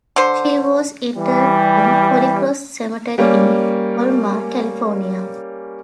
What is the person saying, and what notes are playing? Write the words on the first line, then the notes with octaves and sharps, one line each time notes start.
She was interred in Holy Cross Cemetery in Colma, California.
D3 C5
E3 G3
G3 A#3 C#4